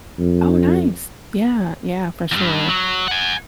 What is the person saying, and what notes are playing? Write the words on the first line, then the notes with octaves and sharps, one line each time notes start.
Oh, nice. Yeah, yeah, for sure.
F2
E2 G2
F#3
F#5 G#5